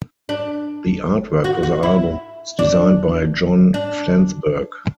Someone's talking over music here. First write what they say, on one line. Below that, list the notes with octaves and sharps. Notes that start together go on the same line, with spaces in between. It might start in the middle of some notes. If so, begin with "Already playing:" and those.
The artwork for the album was designed by John Flansburgh.
D4
F#4
F#4
E4
D4
D4